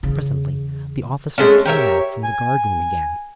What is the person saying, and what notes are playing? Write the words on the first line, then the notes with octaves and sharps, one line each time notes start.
Presently the officer came out from the guard-room again.
E2 C#3
G#3 A3 C#4
G4 A#4 C#5 E5
G#5